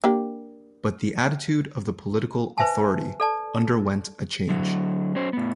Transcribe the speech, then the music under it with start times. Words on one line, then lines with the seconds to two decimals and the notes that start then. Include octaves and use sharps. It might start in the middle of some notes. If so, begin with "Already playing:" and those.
But the attitude of the political authority underwent a change.
0.04 A#3 D4 G4
2.58 B4 C5 E5 G#5 A5
3.20 A4 D5 A5
4.49 D3 F#3
5.15 F#3 C#4 C5
5.33 A2 B3